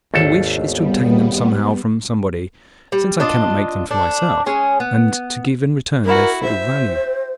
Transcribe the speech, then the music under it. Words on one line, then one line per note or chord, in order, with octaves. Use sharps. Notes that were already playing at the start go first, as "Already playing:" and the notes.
"My wish is to obtain them somehow from somebody, since I cannot make them for myself, and to give in return their full value."
G#1 D#2 A4
G3 B3
G3
D4 F4 D#5
C4 D4 A4
G#3 C#4 G#4
B3
E4 F#4 A#4
C5 E5